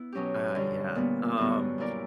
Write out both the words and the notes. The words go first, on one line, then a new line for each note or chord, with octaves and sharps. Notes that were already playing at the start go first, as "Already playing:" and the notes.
I yeah, um,
Already playing: B3 E4
B2 F#3 C#4 G4
F#2 D3 G3
A#2 G3 B3
F#2 D3 G3 B3 F#4
A#2 A#3 E4 A#4 D5